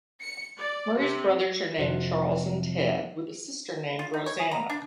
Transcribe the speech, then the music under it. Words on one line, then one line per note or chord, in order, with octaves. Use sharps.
Murray's brothers are named Charles and Ted, with a sister named Roseanna.
C#7
D5
C3
F2 C3 F3 F#4 C5
F4
D#4
C#5
G#4
A#5
D4